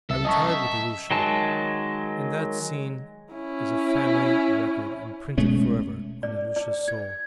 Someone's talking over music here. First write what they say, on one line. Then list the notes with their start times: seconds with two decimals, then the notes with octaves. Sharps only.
I retired with Ilusha, and that scene is a family record imprinted for ever on Ilusha's soul.
0.10 C2 A4 E5
0.25 F#2 D#5 A5 C#6
0.49 E5
1.11 D#3 F#3 G#3 A5
3.34 C#4 E4
5.38 B2 G#3 A3 C#4
6.23 D5
6.56 D5
6.88 G#6